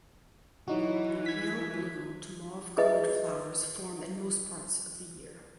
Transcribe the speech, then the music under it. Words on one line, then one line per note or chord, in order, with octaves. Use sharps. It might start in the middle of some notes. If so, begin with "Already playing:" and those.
Pale blue to mauve coloured flowers form in most parts of the year.
E3 F#3 D#4 F#4
G#6 B6
G#4 B4 D#5 E5